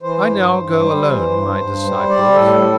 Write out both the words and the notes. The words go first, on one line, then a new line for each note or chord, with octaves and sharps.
I now go alone, my disciples!
E3 C5
G2
G2
G3
E3
G2
G2
G3
G3 D5
A2 A4
G3